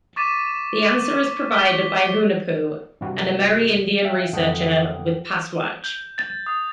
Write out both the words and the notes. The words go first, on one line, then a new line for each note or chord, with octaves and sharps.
The answer is provided by Hunahpu, an Amerindian researcher with Pastwatch.
C#6 D6 A6 B6 D#7 E7
B6 G7
G2 C3 G3 F#4
E5 F5 G5
F2 D3 A4 F#5 G5 D#6
G6
A6
D#6